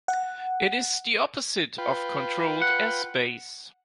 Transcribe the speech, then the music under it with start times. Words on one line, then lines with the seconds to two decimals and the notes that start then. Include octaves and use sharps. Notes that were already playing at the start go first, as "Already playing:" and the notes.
It is the opposite of controlled airspace.
0.08 F#5
1.78 F4 B4 G5
2.62 F#5